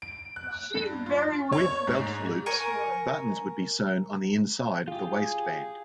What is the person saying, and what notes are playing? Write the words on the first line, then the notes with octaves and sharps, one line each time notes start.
With belt loops, buttons would be sewn on the inside of the waistband.
D7
F#6
G2
F4
C#5
G#2
A#4 G#5 C#6
F4 G4 G#4